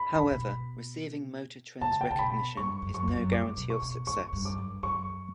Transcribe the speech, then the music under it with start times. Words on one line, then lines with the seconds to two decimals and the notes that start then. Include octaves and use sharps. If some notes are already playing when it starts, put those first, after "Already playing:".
However, receiving "Motor Trend"'s recognition is no guarantee of success.
Already playing: B5
0.15 G2
0.23 A2
0.31 B2
1.81 C#3 A5
2.01 G5
2.11 C#3 A5
2.19 B2 B5
2.57 G2 C#6
2.82 F#2
2.94 C#6
3.08 F#2
3.32 G2 D6
3.57 B2
3.70 C#6
3.82 B2
4.07 E2 C#6
4.33 G2
4.45 F#2 D6
4.58 G2
4.83 F#2 C#6